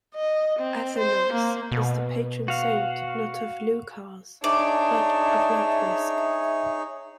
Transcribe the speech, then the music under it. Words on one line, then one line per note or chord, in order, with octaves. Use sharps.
Athernase is the patron saint not of Leuchars but of Lathrisk.
D#5
C4
C5
A#3
B2
F#4 F5
D4 D#4 G#4 C#5 D5 E5